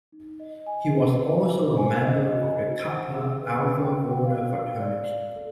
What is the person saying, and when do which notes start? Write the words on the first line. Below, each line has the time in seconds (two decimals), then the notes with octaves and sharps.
He was also a member of the Kappa Alpha Order fraternity.
0.12 D#4
0.40 D#5
0.66 G#5
0.94 B4
1.22 B4
1.50 C5
1.77 G#5
2.05 D#5
2.32 F#4
2.61 C5
2.88 F#5
3.16 G#4
3.42 B4
3.70 G5
3.97 G5
4.25 F5
4.53 F5
4.81 D5
5.08 D5
5.36 A4